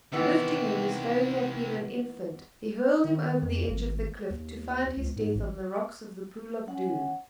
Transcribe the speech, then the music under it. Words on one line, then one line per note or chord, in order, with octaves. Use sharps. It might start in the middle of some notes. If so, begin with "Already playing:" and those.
Lifting him as though he had been an infant, he hurled him over the edge of the cliff to find his death on the rocks of the Pool of Doom.
C3 D#3 E3 B3 E4
D#3
F2
G#1
D#2
C#2
G#2
A1
C#4 F#5